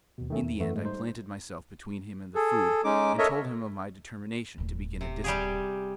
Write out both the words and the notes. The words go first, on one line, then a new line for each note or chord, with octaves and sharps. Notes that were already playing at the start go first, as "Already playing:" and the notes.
In the end I planted myself between him and the food, and told him of my determination to begin a discipline.
D#2 B2
D#3 A3 C#4
E2
F#2 E3 A3 B3
G#2 G#3 A3
G3 D#4 C5
G#4 A4
G#3 C#4 D#4 D6
A4 A#4 C#5 D#5 E5
D#1 A2
C3
G3 G4 G#4